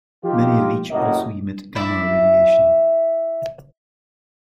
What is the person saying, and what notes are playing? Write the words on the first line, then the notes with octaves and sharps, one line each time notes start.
Many of each also emit gamma radiation.
F3 D#4 F4 G4
F#1 A2 G3 A#3 D#5 F#5
E4 D5 E5